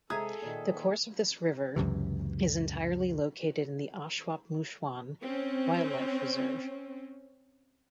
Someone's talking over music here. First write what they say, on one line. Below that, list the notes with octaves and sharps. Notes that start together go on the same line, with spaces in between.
The course of this river is entirely located in the Ashuapmushuan Wildlife Reserve.
C3 G#3 G#4 A4 E5 A#5 D#6 G#6
A#2 D#3
C#2 F#2 C3 E3
C4 C#4